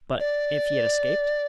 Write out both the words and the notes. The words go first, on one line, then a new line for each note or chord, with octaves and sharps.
"But if he had escaped?"
D5